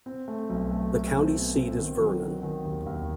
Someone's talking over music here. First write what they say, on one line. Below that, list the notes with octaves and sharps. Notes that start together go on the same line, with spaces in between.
The county seat is Vernon.
C4
A3
B1
A3
A3
C4
B2
C4
D#3
F#3
D#3
D#3
D#2
D#2